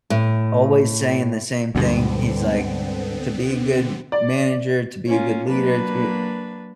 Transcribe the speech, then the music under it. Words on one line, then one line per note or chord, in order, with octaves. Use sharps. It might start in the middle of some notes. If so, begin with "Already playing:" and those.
always saying the same thing. He's like, "To be a good manager, to be a good leader, to be
A2
D2 G#2 B2 D3 G3 B3 C4
D5
A#3 C#4 F4
F#3 A#3 D4 B4